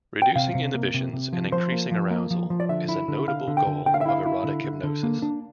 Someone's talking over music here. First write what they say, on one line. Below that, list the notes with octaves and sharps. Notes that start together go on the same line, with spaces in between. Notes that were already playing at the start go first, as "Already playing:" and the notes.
Reducing inhibitions and increasing arousal is a notable goal of erotic hypnosis.
G5
C3 F5
C3
A#3
C3
C3
F3
F3 C5
A#3
F3
A#3
F3
F3
D5
D3 E5
E4
D3
D3 F5
D3
G5
D3
D3 G5
F5
E5
E4 F5
E4
D3
D3
D3
A#3
D4